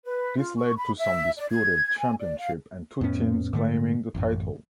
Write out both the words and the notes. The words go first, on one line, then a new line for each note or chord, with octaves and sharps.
This led to some disputed championships and two teams claiming the title.
B4
F4
C#6
B5
E5
D5
G#6
G#5
D5
F5
F2 A2 B3 C#4
G#2 D3 A3
A1 F#2